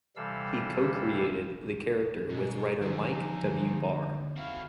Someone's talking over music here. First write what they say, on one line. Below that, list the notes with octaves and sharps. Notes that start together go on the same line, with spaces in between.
He co-created the character with writer Mike W. Barr.
C3 E3 G3 A4 F5 E6
G#2 B2
E2 D3 F3 D#4
D3 G#3 A#3
F2 C4 E4 F#4 F5